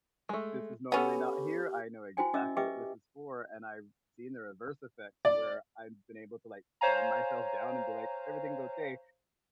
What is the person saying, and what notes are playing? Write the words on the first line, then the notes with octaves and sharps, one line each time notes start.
"This is normally not here, I know exactly what this is for," and I've seen the reverse effects where I've been able to like calm myself down and be like, "Everything's okay,"
G#3 A3
B3 C#4 G4 A4 F#5
E4 F#4 C5 G5 G#5
C#4 D#5 E5 D6 E6
G4 B4 D#5 E5 G5 D6
D5
C5 C#5 F5 G#5 A#5